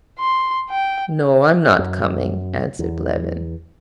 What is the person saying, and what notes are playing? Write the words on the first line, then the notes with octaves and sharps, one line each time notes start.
"No, I'm not coming," answered Levin.
C6
G5
F#2
E2